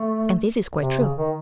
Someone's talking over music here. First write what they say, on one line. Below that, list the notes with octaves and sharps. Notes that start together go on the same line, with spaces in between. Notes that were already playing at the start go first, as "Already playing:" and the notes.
And this is quite true.
Already playing: A3
C3
C#3
D#3